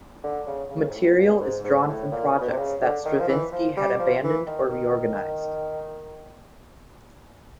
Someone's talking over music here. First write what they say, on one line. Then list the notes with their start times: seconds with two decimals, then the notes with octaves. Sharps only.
Material is drawn from projects that Stravinsky had abandoned or reorganized.
0.24 D3
0.47 C#3
0.71 C#3
0.90 G#2
0.94 A2
1.18 G2
1.42 G#2
1.64 G#2
1.88 A2
2.12 A#2
2.41 B2
2.50 C3
2.58 C#3
2.81 D3
3.05 D#3
3.20 F3
3.28 E3
3.52 F3
3.77 G3
3.99 F3
4.23 E3
4.47 D#3
4.69 D#3